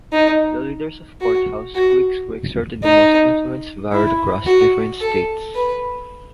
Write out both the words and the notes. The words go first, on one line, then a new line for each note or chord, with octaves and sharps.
The leaders of courthouse cliques who exerted the most influence varied across different states.
D#4
F#4
F#4
D#4
E4
F#4
A4
B4